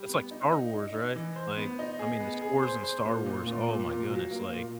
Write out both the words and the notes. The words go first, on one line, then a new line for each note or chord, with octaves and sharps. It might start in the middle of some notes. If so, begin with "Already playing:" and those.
That's like Star Wars, right? Like, I mean, the scores in Star Wars, oh my goodness, like,
Already playing: G3
B3
D#4
D#4
D#4
D#4
E3
C5
B3
D#4
G#4
B3
G#4
C5
C5
A#2
A#2
A#2
A#2
A#2
F#3
A#3
A#2